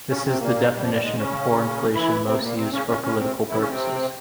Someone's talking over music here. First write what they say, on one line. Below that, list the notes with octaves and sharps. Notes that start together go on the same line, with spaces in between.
This is the definition of "core inflation" most used for political purposes.
C#3 C#4
C3 C4
A#2 A#3
G3
F2 F3
G2 G3
G#2 G#3
C#3 C#4
E3 E4
C3 C4
A#2 A#3
C3 C4
C#3 C#4
C#3 C#4
C#3 C#4
C3 C4
E3 E4
C#3 C#4
C3 C4